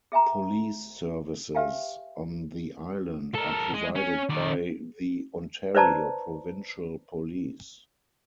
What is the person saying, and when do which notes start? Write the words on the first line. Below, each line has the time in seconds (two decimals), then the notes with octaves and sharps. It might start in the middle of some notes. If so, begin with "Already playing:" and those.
Police services on the island are provided by the Ontario Provincial Police.
0.12 G#4 E5 G#5 A#5
1.55 G4 B4 E5 F5 G5 G#5
3.35 A4 A#4
3.74 G#3
3.95 C#4
4.30 D#3 D5
5.75 B4 C5 D5 A5 A#5